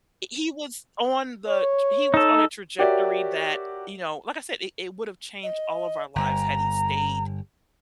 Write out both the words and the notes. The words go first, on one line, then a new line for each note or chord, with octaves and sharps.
He was on the he was on a trajectory that, you know, like I said, it it would have changed all of our lives had he stayed
C#5
D#4 A4
F#4 G4 A#4 C#5 D5 E5
D#5
G1 A#5